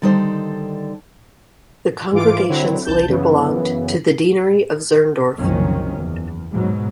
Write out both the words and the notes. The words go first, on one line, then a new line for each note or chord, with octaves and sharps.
The congregations later belonged to the Deanery of Zirndorf.
D3 D#3 G3 D#4 A4 C5
G#2 E3 F4 D6 D7
D3 F#3 C4 E4
G1 C2 A5 G6
F#2 C#3 E3 B3
F#1 C2 D#3 F3 C#4
E2
G#2 B2 F#3